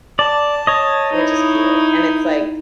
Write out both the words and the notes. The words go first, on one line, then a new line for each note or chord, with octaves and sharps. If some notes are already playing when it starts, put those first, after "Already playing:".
which is cute, and it's, like,
D5 A5
C#5 D#5
D#4 E4